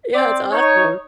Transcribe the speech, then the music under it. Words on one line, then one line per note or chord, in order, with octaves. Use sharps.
Yeah, it's awesome.
C4 D5 C6
D#4 C#5